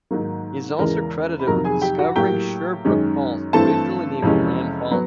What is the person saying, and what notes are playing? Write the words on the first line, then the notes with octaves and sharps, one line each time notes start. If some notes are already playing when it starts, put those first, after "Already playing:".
He is also credited with discovering Sherbrooke Falls, originally named Graham falls.
G#2 D#3 F#3 A#3
E2 C#3 E3 G#3 A#4 A#5
B5
F2 C3 D#3 F#3 A#4 A#5
G#4 G#5
G4 G5
F#4 F#5
A2 F#3 A#3 G4 G5
F#2 D#3 G#3 C#4
G2 E3 A3 C4 A4 A5
F2 C3 E3 G#3 C#4
F#3 B3